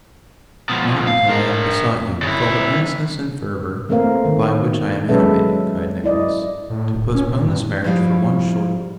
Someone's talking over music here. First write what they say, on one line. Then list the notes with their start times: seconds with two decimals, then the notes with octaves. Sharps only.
'Not until I have besought you, with all the earnestness and fervour by which I am animated,' cried Nicholas, 'to postpone this marriage for one short week.
0.69 B2 F3
1.07 F5
1.28 D4 A#4
2.22 C#3 E4
3.89 E3 A3 A#3 C4 A#4 F5
4.25 D#3
5.09 F#3 G#3 C#4 A4 B4 E5
6.04 E4 D5 D#5
6.70 A2
6.95 D1
7.15 C#4
7.28 A#2
7.46 G2
7.84 F3 G3 E4 F5